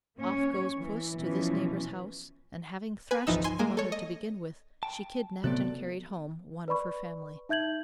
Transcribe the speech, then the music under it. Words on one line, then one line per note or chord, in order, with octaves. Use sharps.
Off goes puss to this neighbour's house, and having thrashed the mother to begin with, she kidnapped and carried home one of her family.
A#3 C#4 C#5
E3
B2 E3 F3 C#4
B4 G#5
G1 C2 E3 F3 D#4 E6
G#5 C6
G#3 A#3 G#5
A4 C#5
D#5
G5 A5
C3 F#3 A3 B3 F#4 A4 D5
B4 D5 B5 C#6
D#4 E5 G6 G#6 F#7